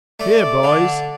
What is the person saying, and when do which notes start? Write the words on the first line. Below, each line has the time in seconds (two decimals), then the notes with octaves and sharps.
Here, boys!
0.20 A3 D5
0.63 D3